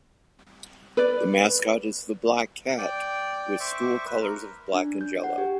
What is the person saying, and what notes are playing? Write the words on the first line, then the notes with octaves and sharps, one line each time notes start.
The mascot is the Black Cat with school colors of black and yellow.
B4 D5
D5 G5
C5 E5 C#6 D6
B4 E5
A#4
D4
G6
F#5
G4